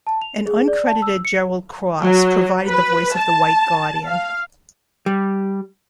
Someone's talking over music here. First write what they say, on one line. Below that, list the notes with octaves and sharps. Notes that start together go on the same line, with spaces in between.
An uncredited Gerald Cross provided the voice of the White Guardian.
A5
F7
G#4
D5
A5
E6
C#7
F#3
B4
A5
F5
G3